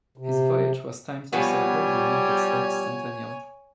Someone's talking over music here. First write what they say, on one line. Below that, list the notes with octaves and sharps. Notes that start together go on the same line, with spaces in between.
His voyage was timed to celebrate the United States centennial.
C3
B2 F3 G3 B3 C#5 G#5